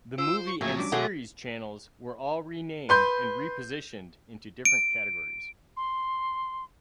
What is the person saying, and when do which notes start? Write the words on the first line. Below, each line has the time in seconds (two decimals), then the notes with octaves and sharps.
The movie and series channels were all renamed and repositioned into different categories.
0.18 F4 C5 E6
0.47 C#6
0.61 A2 F3 F#3 A#3 E5 G#5
0.78 G3 C#4 D4 D6
0.92 B2 F#3 G#3 A3 G#4
2.89 B4 C6 G6
4.65 D7
5.77 C6